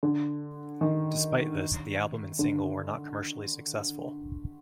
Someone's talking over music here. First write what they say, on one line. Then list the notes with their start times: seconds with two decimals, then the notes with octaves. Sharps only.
Despite this, the album and single were not commercially successful.
0.03 D3
0.81 D#3
2.39 D3